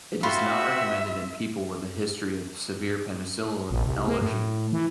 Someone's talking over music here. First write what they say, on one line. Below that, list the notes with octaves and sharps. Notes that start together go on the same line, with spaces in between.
It is not recommended in people with a history of a severe penicillin allergy.
C4 F4 F#4 E5 B5
A#1
C2
A#3
A2
E3